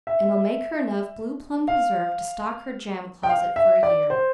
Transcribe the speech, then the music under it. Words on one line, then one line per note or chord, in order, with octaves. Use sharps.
And I'll make her enough blue plum preserve to stock her jam closet for a year.
E5
F5
G5
F5
E5
D5
C5